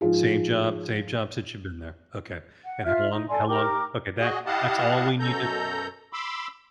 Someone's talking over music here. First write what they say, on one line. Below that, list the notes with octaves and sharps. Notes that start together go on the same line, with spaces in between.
Same job same job since you've been there. Okay. And how long how long, okay. That that's all we need t
G#2 F3 F4 G#4
F#5
F4 E5 F6
D#4
A4 D5 G#5 C6
D#4 G4 A#4 D6
F#4 G#4 D#5
E4 G4 D#5 F5 F#5 A5
F#2 B2 A4 A#5 G6
B5 C6 D6 E6